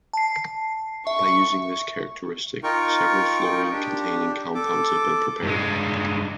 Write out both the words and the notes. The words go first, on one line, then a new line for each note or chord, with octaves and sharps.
By using this characteristic, several fluorine-containing compounds have been prepared.
A5 C7
E5 C#6
D#4 F4 A#4 G5 C#6
D4 G4
A4 D6
G2 G#3